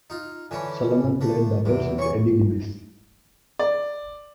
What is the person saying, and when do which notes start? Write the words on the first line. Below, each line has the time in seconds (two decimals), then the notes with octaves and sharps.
Solomon played doubles with Eddie Dibbs.
0.10 D#4 F4
0.51 D3 E3 C#4 G#5 B5
1.21 D3 A3
1.65 E2 C3 D7
1.98 E3 C#5 C#6
3.59 D5